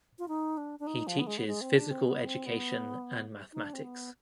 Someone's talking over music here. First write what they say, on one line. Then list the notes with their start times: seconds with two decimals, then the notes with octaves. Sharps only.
He teaches physical education and mathematics.
0.19 F4
0.28 D#4
0.57 D4
0.79 D4
0.87 D#4
1.07 F3
1.19 B3
1.27 G#3
1.38 B3
1.47 G#3
1.61 C4
1.76 D4
1.91 C4
2.07 B3
2.26 C4
2.46 B3
3.53 D#4
3.64 D4
3.74 C4
3.84 B3